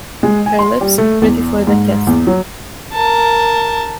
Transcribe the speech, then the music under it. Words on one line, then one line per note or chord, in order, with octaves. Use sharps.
Her lips ready for the kiss!
G#3
G#5
C6
G3
A3
E2
G#2
E2
F#3
A#4 A5